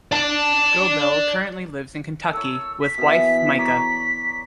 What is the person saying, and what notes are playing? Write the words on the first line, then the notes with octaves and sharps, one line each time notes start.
Goebel currently lives in Kentucky, with wife Micah.
D5 A5
A4 C#5 E6
B6
B2 E3
C#5 D5 A#5 B6